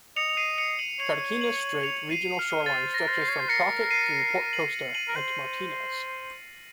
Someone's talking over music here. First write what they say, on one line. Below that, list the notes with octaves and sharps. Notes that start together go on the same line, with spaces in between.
Carquinez Strait Regional Shoreline stretches from Crockett through Port Costa and to Martinez.
D#5 C#7 F7
F7
C7 D#7
C#7 F7
D#7 F#7
C#5 C#7 F7
D#7 F#7
C#7 F7
C7 D#7
F6
C5 A6
A#6
A#4
C5
C7
C#5
C5
A#4 A#6 C#7
C7 D#7
D#7 F#7
D#7 F#7
A#4
C5